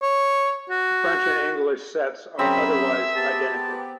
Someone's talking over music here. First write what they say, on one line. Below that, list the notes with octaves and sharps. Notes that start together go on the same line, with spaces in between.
The French and English sets are otherwise identical.
C#5
F#4
F#3 C4 C#4 G#4 A#4 E5 B5
B3 G4 A5